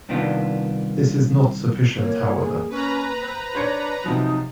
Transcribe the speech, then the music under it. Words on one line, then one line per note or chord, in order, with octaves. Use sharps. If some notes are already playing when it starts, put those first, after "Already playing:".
This is not sufficient, however.
C2 D#3 B3 D4 F4
A#3 C#5
G#4
C#4 B4 A#5
C5
D4 C5 C#5 C#7
C3 F3 F#3 D#4